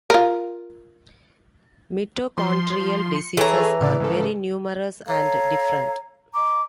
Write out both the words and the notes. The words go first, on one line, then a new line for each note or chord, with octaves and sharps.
Mitochondrial diseases are very numerous and different.
F4 A#4
F3 C6
C#7
E3 G#4 A4 C#5 A#5
A2 C#3 D5
G#2 C#3 A4
A4 C#5 F5 A#5
D#5 A#5 D6